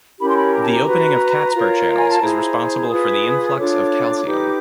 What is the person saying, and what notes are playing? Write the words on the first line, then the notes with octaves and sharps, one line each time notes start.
The opening of CatSper channels is responsible for the influx of calcium.
C#4 E4 G4 A#4 B5
C6
B5
A#5
A5
A#5
F#4 B4
F4 A#4 C#5
G#5
A5
E4 G#4 C5 A#5
F4 G#4 B4 D#6
D4 F4 A4 C#5 D6
D#4 G4 B4